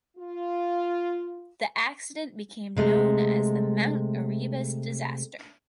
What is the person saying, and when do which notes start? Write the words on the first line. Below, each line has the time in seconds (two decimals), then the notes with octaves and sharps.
The accident became known as the Mount Erebus disaster.
0.17 F4
2.77 C3 G#3 A3